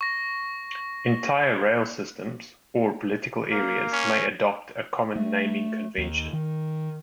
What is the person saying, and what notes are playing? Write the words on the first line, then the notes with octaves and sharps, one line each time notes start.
Entire rail systems or political areas may adopt a common naming convention.
C#6 A#6
A#3
C#4
A3
D#2
D#3